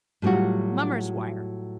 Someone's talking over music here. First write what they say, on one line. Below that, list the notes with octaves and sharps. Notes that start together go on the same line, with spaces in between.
Mummer's wire.
A2 F#3 G3 F4 F#4